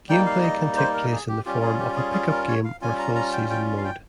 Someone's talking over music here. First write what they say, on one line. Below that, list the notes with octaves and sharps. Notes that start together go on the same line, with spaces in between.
Gameplay can take place in the form of a pickup game or full-season mode.
G3 A#3 D#4 G5
F5
D#5
C5
A#4
G#4
G4
G3 C#4 F4 G4
G#4
G4
G#4
G#4
A#4
C#5
F5
G3 C#4 F4 G#5
A#5
A#5
G5
G5
F5
G5